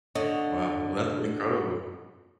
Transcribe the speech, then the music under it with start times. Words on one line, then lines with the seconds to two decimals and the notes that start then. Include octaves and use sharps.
Wow. Well, that's incredible.
0.15 D3 C#5 D#5